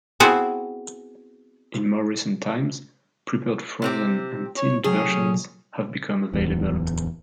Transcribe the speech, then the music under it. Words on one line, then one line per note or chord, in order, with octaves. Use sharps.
In more recent times, prepared frozen and tinned versions have become available.
B3 C4 E4 F#4 G#4
C3 C4 G4
C#5
C3 F#3 A3 C#4 G#4
D1 E2